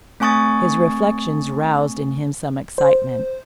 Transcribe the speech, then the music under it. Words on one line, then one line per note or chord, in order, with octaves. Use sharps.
His reflections roused in him some excitement.
A3 C4 G#5 C#6 D#6 A6
C5